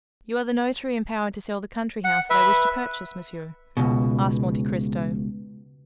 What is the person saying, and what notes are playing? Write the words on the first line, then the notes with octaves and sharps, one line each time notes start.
"You are the notary empowered to sell the country house that I wish to purchase, monsieur?" asked Monte Cristo.
F#5
B4 E5
C#2 B2